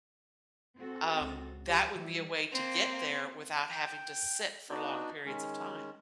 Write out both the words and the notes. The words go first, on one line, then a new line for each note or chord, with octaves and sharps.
um, that would be a way to get there without having to sit for long periods of time.
C4 F#4 A4
C#2
G4
E3 G3 E4
A#3 C4
G5
B3 D4 D#4 F#4 D5
D#3 G#3 C#4